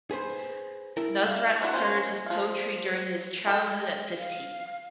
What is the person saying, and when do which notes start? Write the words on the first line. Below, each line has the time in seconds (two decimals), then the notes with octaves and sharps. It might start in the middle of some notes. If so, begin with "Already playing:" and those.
Nusrat started his poetry during his childhood at fifteen.
0.11 G#4 B4 C5
0.97 E4 A#4
1.23 E5 F5
1.61 A#3 D4 E4 F#4
1.73 A#3 C#4 F4 A#4 C5
2.26 F3 F5
3.47 A4 D#5 G5
4.16 F5